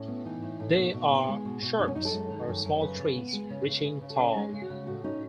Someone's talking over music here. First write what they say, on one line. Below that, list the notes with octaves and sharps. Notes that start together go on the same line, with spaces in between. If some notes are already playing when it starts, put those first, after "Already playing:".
They are shrubs or small trees, reaching tall.
Already playing: A2 C#4
B3
E3 D#4
A2
A2
B2
B2
B3
G#3
B2
B2
F#2 D#4
C#4
F#2 D#4
A4
G#3
D#3
F#2
F#2
C#3 B4
C#3
B3
G#3
C#3
C#3
C#3 B4
C#3
A4
C#4
G#3 G#4
C#3
F#4
C#3
A2 F#4
C#4 D#4